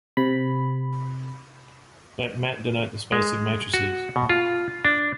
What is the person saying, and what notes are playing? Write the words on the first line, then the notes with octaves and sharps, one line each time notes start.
Let Mat denote the space of matrices.
C3 B5
G#3
F#4
B2
F4
D4